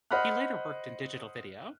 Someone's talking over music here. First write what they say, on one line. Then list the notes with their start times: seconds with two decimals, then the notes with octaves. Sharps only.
He later worked in digital video.
0.11 C5 D#5 F#5 B5 F6 F#6